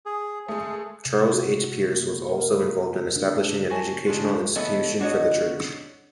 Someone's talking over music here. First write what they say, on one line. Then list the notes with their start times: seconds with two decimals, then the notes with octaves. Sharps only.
Charles H. Pearce was also involved in establishing an educational institution for the church.
0.06 G#4
0.48 G#3 A3 G#4
1.06 C3
1.33 F#4
1.95 A#3
2.29 A#4
3.16 D4
3.70 F#4 G#5 A5
4.05 G#3 D4 F4 B4
4.55 E3 A3 B3 A4 C#5 D#5
5.00 D4 F#4 C5 C#5 D#5